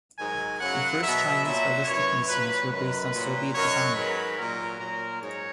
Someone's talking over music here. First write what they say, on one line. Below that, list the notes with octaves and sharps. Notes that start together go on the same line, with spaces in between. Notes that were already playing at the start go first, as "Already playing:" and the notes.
The first Chinese ballistic missiles were based on Soviet design.
G#2 D#3 F#3 G#5
F#2 C#3 F#3 F#5
B2 F#3 E5
A#2 F#3 E5
F#2 E3 C#5
A#2 F#3 B4
F#2 D#3 F#3 B4
A#2 F#3
F#2 D#3 F#3 C#5
G#2 D#3 F#3 B4
A#2 F#3 A#4
A#2 F#3 A#4
G#2 F#3 C#5